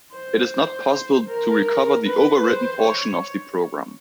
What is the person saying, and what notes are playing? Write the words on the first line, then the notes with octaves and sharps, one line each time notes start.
It is not possible to recover the overwritten portion of the program.
C5
A#4
B4
C5
C#5